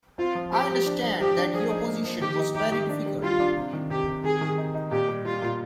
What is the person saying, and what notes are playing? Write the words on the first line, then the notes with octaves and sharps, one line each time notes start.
I understand that your position was very difficult.
C4 F4
F3
C4 G4
F3
D4
F3
F3 G4
D4
F3 G#4
D#4
A#3
F3
D#3 G4
D#4
D#4 G4
D#3
D4
G3
G3 F4
D4
C3
D#3
C3 G4
C3
D#3 G#4
D#3
D#4
D#4
A#2 G4
G3
G3 F4
A#2